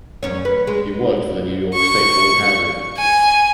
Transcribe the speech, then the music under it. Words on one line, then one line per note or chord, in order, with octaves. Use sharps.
He worked for the New York State Board of Housing.
F#2 C#4 C#5
B4
G#3
C#6
G#5